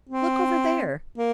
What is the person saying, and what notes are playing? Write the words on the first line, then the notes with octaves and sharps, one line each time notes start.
Look over there!
C4
A#3